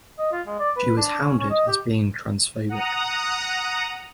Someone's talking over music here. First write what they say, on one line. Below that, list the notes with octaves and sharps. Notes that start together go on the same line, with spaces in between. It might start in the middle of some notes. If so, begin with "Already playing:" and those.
She was hounded as being transphobic.
D#5
F4
G#3
D5
B4
D4
C#4
C#4
D#5
G4
F#5 A#5 D#6